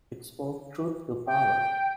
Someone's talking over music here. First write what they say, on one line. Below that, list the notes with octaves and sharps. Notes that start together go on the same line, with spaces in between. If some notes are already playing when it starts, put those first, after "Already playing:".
It spoke truth to power.
G5